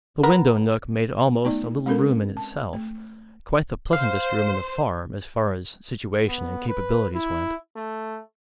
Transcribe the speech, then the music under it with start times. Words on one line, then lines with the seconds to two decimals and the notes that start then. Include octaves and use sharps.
The window nook made almost a little room in itself, quite the pleasantest room in the farm as far as situation and capabilities went.
0.23 B3 A#4
1.44 A3 B3 D#4 D5
1.86 G#3 C4 C#4 A4 A#4
2.37 A5
2.73 A3
3.93 C5 F5
6.29 B3
6.69 B4
7.15 E4
7.76 A3